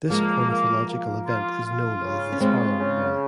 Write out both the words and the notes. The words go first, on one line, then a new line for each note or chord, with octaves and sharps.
This ornithological event is known as The Sparrow War.
F3 G#3 A#3
A#3
A#3
F4
F4
C#3
C#4
G#3 C4 F4
C#3